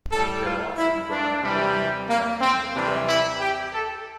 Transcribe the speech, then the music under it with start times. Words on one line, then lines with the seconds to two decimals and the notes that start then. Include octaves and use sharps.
Their loss in the bronze medal game left them with the bronze.
0.11 A2 G3 A4
0.44 F4
0.77 E4
1.09 D4
1.43 C3 E3 G3
2.08 A#3
2.41 C4
2.74 C3 E3 G3 D4
3.07 E4
3.40 G4
3.72 A4